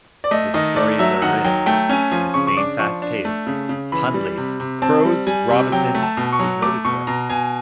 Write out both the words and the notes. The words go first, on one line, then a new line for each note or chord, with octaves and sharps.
The stories are written in the same fast-paced, pun-laced prose Robinson is noted for.
D5
A3 D#5
D#3 D#5
A3 D5
F#3 E5
D#3 F#5
F#3 G5
A3 G5
C#4 G#5
F3 G#5
C#3 C#6
C#6
D4 D6
F3 C#6
D4
A3
C#3
C#3
E3 B5
G3
C3
C3
C4 A5
G3
G3 G#5
C3
F#3 G5
A3
A5
B2
C#6
F#3
A3 D6
B2 C#6
B2 A#5
B2 G#5